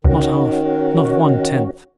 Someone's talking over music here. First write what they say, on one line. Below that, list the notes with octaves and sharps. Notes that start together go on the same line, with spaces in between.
Not half--not one-tenth.
C#2 D#3 C#4 F#4